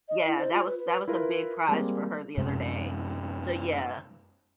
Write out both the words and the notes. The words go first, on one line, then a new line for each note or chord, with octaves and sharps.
yeah, that was that was a big prize for her the other day. So yeah.
D#5
E4
C5
F4
B4
B4
E4 F4 A#4 B4
G3 G#3 A#3 C4
F#2 C3 G#3 C4